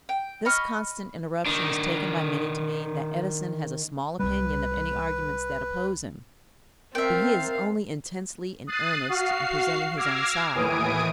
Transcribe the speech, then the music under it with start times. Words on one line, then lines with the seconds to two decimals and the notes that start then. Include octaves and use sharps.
This constant interruption is taken by many to mean that Edison has a small opinion of any arguments that oppose him; but he is only intensely in earnest in presenting his own side.
0.09 G5
0.45 D#5 B5 C#6 F6
1.46 D#3 D4
4.19 C2 G3 B4
6.95 C4 A#4 E5 F5 G5 A5
8.67 D#6 F#6 A6 C7 D#7
9.08 F#4 F5 C7
9.96 D6 E6 F6 G#6 A#6 C7
10.54 D#2 A2 E3 G#5 D#6 D7